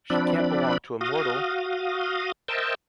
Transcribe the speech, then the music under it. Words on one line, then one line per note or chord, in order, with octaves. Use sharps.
She can’t belong to a mortal!
F3 C4 D4 D5 B5
F#4 F5 D#6
A#4 C5 D#5 E5 G5 A5